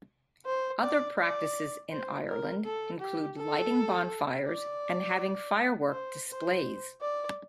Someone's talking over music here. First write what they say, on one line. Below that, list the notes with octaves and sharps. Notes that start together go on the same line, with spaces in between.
Other practices in Ireland include lighting bonfires, and having firework displays.
C5
D5
D5
C5
A#4
A4
G4
A4
D5
C5
C5
D5